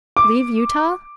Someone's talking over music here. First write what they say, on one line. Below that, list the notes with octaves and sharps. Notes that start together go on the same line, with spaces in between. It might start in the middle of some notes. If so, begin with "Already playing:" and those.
"Leave Utah!"
D6